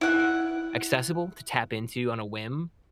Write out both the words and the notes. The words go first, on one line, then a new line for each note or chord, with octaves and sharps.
accessible to tap into on a whim.
E4 F#5